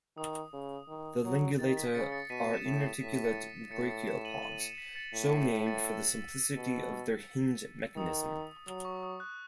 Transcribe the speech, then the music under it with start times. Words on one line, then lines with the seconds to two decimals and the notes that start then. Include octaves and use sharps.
The Lingulata are inarticulate brachiopods, so named for the simplicity of their hinge mechanism.
0.17 D#3 D#6
0.53 C#3
0.88 D#3
1.24 F#3
1.59 D#3 A6
1.77 B6
1.95 C#3 A6 C#7
2.12 A6 C#7
2.30 B2 B6 D#7
2.54 C#7 E7
2.65 A2
3.01 A2 B6
3.25 A6 C#7
3.71 A2 A6 C#7
3.89 A6 C#7
4.07 C#7 E7
4.25 D#7 F#7
4.42 D#7 F#7
4.60 C#7 E7
4.78 B6
4.96 A6 C#7
5.14 A2 B6
5.31 A6 C#7
5.49 B6 D#7
5.66 A6 C#7
5.85 E6
6.56 B2
7.96 D#3 D#6
8.67 F#3 D#6
8.85 C#6
9.03 D#6
9.20 F#6